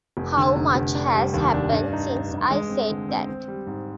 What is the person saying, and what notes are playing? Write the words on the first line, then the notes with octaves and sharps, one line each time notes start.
How much has happened since I said that!
F1
D3
F1
F1
D4
G3
D#2
D4
G2
D#4
G2
G2
G#3
C4
D3
C4
C4
G3
G#2